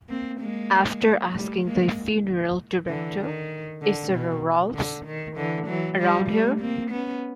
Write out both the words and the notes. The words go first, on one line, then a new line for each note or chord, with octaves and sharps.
After asking the funeral director, Is there a Ralphs around here?
A#3 C4
G#3 A#3
G3 A3
G#3 A#3
D3 E3
D#3
D3
B2
D3
D#3
D3 E3
E3 F#3
F3 G3
G3 A3
A#3 C4
B3 C#4